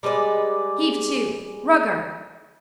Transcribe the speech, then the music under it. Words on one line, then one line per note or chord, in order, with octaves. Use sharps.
Heave to. Rugger.
G3 G#3 B4 D5